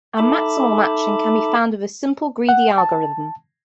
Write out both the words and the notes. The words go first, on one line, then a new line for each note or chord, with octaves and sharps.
A maximal matching can be found with a simple greedy algorithm.
D#4 A4 E5 A5 B5 D6
F#5
A5